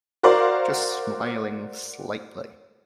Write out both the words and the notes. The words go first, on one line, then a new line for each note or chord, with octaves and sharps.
Just smiling slightly.
F#4 A#4 C5 D5 F5